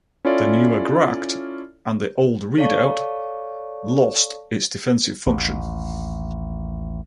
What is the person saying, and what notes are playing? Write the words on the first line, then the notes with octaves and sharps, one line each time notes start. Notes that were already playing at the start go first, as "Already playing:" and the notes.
The Nieuwe Gracht and the old redoubt lost its defensive function.
C#4 E4 F4 A4 C#5 D5
A4 C#5 D5 F5 A5 C#6
A1 D#2